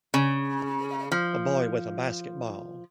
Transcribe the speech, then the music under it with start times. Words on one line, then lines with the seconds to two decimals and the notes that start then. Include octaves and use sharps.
A boy with a basketball.
0.14 C#3
1.12 F3